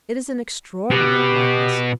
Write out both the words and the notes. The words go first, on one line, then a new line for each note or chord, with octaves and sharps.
It is an extraordinary likeness.
B2 G4